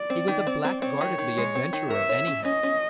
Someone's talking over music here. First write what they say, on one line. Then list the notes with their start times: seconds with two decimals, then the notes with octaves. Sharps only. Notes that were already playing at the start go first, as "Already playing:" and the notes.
He was a blackguardly adventurer, anyhow.
Already playing: D5
0.10 C4
0.28 D#3
0.47 C4
0.65 C4
0.82 C4 C#5
1.01 D#3
1.18 D#3
1.37 G#3
1.55 C4
1.73 D#3
1.90 A#4 E5
2.09 C#5
2.27 C#4
2.45 C#4 D#5
2.63 C#4